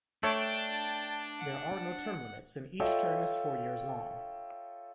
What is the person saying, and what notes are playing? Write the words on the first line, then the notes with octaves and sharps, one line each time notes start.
There are no term limits, and each term is four years long.
A3 D4 C#5 G5 A5
F#5
F4 A4 C#5 D#5 E5 G5